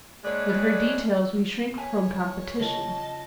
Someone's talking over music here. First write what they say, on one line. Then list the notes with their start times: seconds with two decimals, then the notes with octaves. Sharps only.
With her details we shrink from competition.
0.24 G#3 A#3 D4 B4 C#5 D5
1.78 B4 C#5 G#5
2.60 C#3 C#4 F4 D#5 A5